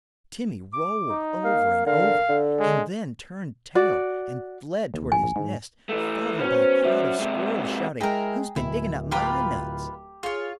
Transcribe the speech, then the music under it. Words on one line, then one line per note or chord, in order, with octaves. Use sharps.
Timmy rolled over and over, and then turned tail and fled towards his nest, followed by a crowd of squirrels shouting-- "Who's-been digging-up MY-nuts?"
D6
D#4
A#3 F5
D3 A#4 F5
D3 A4
G#3
F#4 D5
D#2
A#1 G#5
A#1
G#2
E3 A3
F#3 B3 C#4 C5
F#3 C#4 D5 E5 E6
G#2 C3
G#3 E4 G#4 A#4 G5 A#5
D1 E4
F4 G4 B4 A#5 B5 D6
F4 G#4 C#5